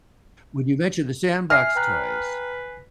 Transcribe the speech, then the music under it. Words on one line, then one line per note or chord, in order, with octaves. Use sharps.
When you mentioned the sandbox toys,
E5 G#5 F6 A#6 C7
B4 G5 A#5 F#6